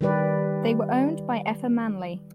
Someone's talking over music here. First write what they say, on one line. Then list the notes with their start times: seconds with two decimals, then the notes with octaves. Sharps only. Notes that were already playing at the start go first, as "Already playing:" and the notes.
They were owned by Effa Manley.
0.01 D#3 G3 G4 B4 D5